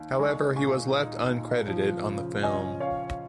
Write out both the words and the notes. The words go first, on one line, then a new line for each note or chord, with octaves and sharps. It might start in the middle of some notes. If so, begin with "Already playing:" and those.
However, he was left uncredited on the film.
Already playing: D#2
G#3 G#5 C#6
A#2 G#5 C#6
D#4
A#2
F3
C#3
C#4 D#5 G#5
F4 C#5 F5